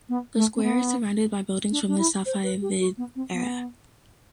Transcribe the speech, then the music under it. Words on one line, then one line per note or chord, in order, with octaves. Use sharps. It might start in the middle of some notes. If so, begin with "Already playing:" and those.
The square is surrounded by buildings from the Safavid era.
B3
A3
C4
B3
D4
D4
E4
C5
B4
G4
F#4
B3
C4
B3